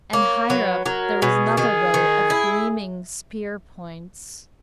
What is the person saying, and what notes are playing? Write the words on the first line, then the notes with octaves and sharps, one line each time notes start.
And higher up there was another row of gleaming spear-points.
A#3 C#5
F#3 B4
F#3 A#4
B2 G#4
D#3 G#4
D#3
E4